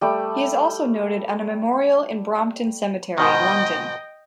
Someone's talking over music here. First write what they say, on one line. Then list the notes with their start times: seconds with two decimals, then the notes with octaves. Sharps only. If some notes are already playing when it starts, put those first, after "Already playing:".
He is also noted on a memorial in Brompton Cemetery, London.
0.01 G3 A3 G5
3.18 G#2 B2 D#3 D#5 G5